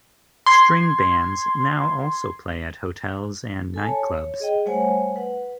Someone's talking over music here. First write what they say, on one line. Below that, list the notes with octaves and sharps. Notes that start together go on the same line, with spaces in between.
String bands now also play at hotels and nightclubs.
C6 G#6
A4 G#5 A5
C#5
G#4 D#5 G5
G3 A3 C5 C#5 F#5 G#5
B4 F#5